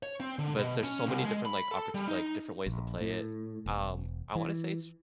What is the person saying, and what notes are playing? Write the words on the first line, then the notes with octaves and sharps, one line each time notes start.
But there's so many different, like, opportu like, different ways to play it, um, I wanna say it's
C#5
C4
D3
B2
C#4
C2
G#3
B5
A4
G3
D#4
A#1
A2
E1
E3